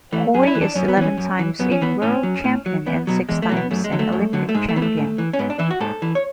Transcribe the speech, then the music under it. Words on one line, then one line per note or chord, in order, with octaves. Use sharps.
Hoy is eleven-times a world champion and six-times an Olympic champion.
E3 A3
F#2 G#4
D4
E4
E3
D4
F#2 C#4
B3
E3 C#4
F#2
E3
F#2 B3
C#4
E3 B3
A2 C#4
F#3
A2
F#3
E2 B3
B2 F#3
E2 G#3
A3
B2 F#3
B3
F#2 A3
G#3
D3 F#3
A3
F#2
D3 F#3
A3
G#2 G#3
A3
E3 B3
A3
G#2
E3
C#4
G#2 B3
D4
E3 E4
F#4
G#2 A4
E3
C#5